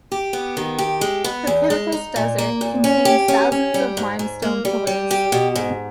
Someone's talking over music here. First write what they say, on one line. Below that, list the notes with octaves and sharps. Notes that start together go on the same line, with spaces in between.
The Pinnacles Desert contains thousands of limestone pillars.
G4
B3
D#3
G4
G#3
B3
E2
G#3
D#4
A#2
A#3
A#2
C#4
G4
C#4
C#4
G3
G#2
G#2
A#3
G3
G3
G4
B2
G#2